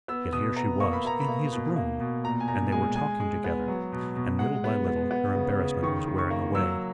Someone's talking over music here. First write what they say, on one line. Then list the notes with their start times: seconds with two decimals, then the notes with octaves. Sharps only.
Yet here she was, IN HIS ROOM, and they were talking together, and little by little her embarrassment was wearing away.
0.08 B3 E6
0.32 B2 D#6
0.56 B3 A#5
0.80 A#3 C#6
0.93 B5
1.05 A#3 A#5
1.20 B5
1.28 A#3
1.52 B2
1.76 A#3
2.00 B2
2.24 A#2 A#5
2.40 G#5
2.48 A#2 A#5
2.72 G#3 G#5
2.96 G#3 G#5
3.20 G#3
3.44 B3
3.68 F#3
3.92 B2
4.16 B2
4.39 G#3 F#5
4.64 B3
4.87 B3
5.11 B3
5.35 C#3
5.59 C#3
5.83 D#3 C#6
6.07 D#3
6.19 C#6
6.31 A#3
6.55 F#3 E6